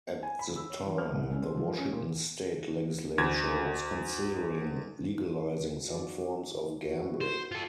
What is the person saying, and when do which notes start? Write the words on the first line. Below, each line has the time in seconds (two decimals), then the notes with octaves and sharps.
At the time the Washington State legislature was considering legalizing some forms of gambling.
0.23 G#5
0.39 B5
0.56 E6
0.70 C#5
0.86 E3
0.98 F6
1.14 C2
1.31 C#4
1.43 C5
1.57 F3
1.78 C#4
1.93 A#2
3.18 D2 G#6
5.85 F4 F#4 D5
5.97 D#4
6.55 D#3
6.84 E4 F#4
7.21 C5
7.52 F4 A4